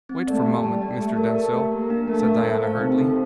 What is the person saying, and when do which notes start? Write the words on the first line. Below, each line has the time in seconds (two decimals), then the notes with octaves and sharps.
"Wait for a moment, Mr. Denzil," said Diana hurriedly.
0.09 C4
0.27 A3 D5
0.46 G4
0.63 G3 A5
0.82 D5
0.99 A3 G4
1.18 A#4
1.36 A#4
1.53 G4
1.72 A#3 A#4
1.90 D4
2.08 A3 A#4
2.26 A#4
2.44 A3 C5
2.62 F5
2.80 C3 D#4
2.98 A4